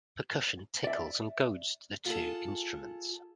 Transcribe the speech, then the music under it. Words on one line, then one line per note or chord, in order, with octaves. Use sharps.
Percussion tickles and goads the two instruments.
D5 E5
F4 G#4 A4